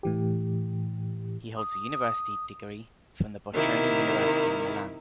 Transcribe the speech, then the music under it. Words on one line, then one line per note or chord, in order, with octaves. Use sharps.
He holds a University degree from the Bocconi University in Milan.
A2 E3 G4
D#6
C3 D#3 A#3 E4